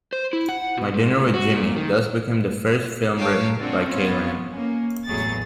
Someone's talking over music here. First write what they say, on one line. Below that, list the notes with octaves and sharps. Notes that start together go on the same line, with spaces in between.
"My Dinner With Jimi" thus became the first film written by Kaylan.
C5
E4
F#5
B2
G#2
G#2
F#4
A#2
D#3
A#4 C#5 F5 G5 A5
A#3 C4 D4 F4 F#4
B3 C#4 F4
A#3 C#4
A1 E2 A2 F#3 G#4 A6